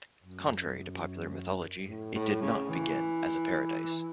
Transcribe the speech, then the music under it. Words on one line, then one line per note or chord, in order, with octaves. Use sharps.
Contrary to popular mythology, it did not begin as a paradise.
F#2
A2
A2
C#3
E3